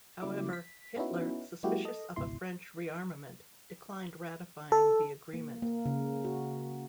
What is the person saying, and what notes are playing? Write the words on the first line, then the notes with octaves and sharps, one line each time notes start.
However, Hitler, suspicious of a French rearmament, declined ratifying the agreement.
C#3 F#3 G3 A#3 E4 D6
B6
B3 C#4 D#4 E4 F#4
F#3 G#3 A#3 E4 F#4 G4
A4 D#5
G#1 C#2 B2 E4 C6
A4
A#3
A#3
C#3
F#4